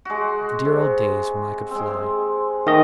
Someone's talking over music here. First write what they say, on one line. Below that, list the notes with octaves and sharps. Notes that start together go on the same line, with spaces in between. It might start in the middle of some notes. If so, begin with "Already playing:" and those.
"The dear old days when I could fly!"
G#3 F#4
C3
G#3 C4
D#3 A3 D#5